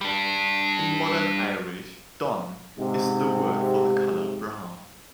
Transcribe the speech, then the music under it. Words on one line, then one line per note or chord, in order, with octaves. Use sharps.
In modern Irish, "donn" is the word for the colour brown.
G3 D4
G#2 C3